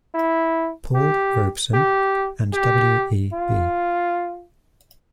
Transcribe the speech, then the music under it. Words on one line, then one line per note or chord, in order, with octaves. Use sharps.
Paul Robeson and W. E. B.
E4
G4
G4
G4
F4